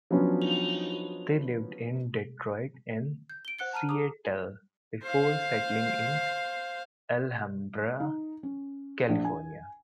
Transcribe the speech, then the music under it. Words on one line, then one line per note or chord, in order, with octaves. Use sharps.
They lived in Detroit and Seattle before settling in Alhambra, California.
F3 F#3 B3 C#4 D4 F4
G6
D7 G7
C5 F#5 F#6 C#7 G7
A5 A#5 F6 D#7
G#4 A#5 D6 D#6
C5 F5
D#4
C#4
A#1
G#5